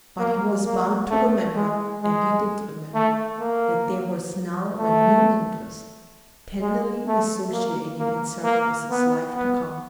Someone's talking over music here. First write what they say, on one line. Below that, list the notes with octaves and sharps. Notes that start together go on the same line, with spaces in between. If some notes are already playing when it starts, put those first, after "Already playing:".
But he was bound to remember--and he did remember--that there was now a new interest, tenderly associating itself with his life to come.
A#3
A#3
A3
G#3
G#3
A3
A#3
A3
G#3
A3
A#3
A#3
A#3
B3
B3